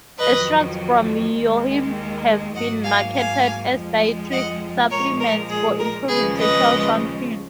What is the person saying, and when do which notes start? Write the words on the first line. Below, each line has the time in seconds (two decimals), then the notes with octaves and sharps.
Extracts from yohimbe have been marketed as dietary supplements for improving sexual function.
0.19 F2 D#3 F#3 B4 D#5
1.36 D#2 D#3 G#3
2.55 G#2 F#3 A#3 D#5 F#5
2.84 F5 G#5
3.14 F5 G#5
3.73 F2 F3 G#3
4.32 D#5 F#5
4.91 A#2 F3 G#3 A#4 C#5
5.20 A#4
5.50 G#4
5.79 A#4
6.09 D#2 C#3 F3 G#3 G#4 B4
6.39 B4 D#5